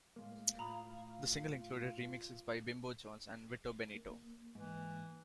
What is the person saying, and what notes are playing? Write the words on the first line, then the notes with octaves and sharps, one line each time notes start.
The single included remixes by Bimbo Jones and Vito Benito.
A2 G#3 A#3 F5
A2 F4 A#5 B5 D#6
A#3
G#2 E3